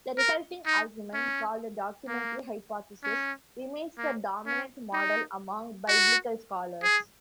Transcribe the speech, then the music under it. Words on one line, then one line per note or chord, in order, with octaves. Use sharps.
The resulting argument, called the documentary hypothesis, remains the dominant model among biblical scholars.
A#4
D#4
C#4
A#3
C#4
A#3
C#4
D#4
F#4
G#4